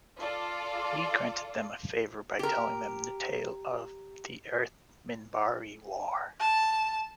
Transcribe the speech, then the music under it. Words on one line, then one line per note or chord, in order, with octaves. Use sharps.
He granted them a favor by telling them the tale of the Earth-Minbari War.
F4 A4 D5
G4 A#4
A5